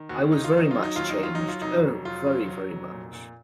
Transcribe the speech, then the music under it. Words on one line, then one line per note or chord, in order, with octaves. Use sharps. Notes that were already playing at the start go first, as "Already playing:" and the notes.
I was very much changed — oh, very, very much.
Already playing: D#3
D#2 F#4
D#3 D#4
F4
F#3 D#4
F#3 F4
D#4
D#2 F4
D#4
F#3
F4
D#4
F#3
F4
F1 D#4
F#3
F1 F4
F#3
F#3
F1
A#2
A#2